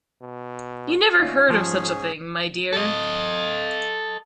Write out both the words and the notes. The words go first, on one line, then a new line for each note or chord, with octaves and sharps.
You never heard of such a thing, my dear!
B2
D3 A3 C#4 D#4 F4
G#2 F3 G#4
A4 D#5